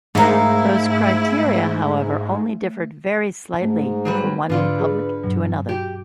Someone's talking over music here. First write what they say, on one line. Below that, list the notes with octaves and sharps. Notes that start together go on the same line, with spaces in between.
Those criteria, however, only differed very slightly from one republic to another.
G#2 A3 D#4 E4 A#4 F5
G#2 A3
F#3 G3 B4
G#2 D3 F4 B4 D5
G#4
G2 B2 F#3
F#4 G4